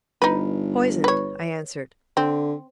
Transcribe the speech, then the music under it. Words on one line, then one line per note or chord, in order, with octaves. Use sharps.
'Poisoned,' I answered.
G1 D#4 B4
B4 C#5
D3 C4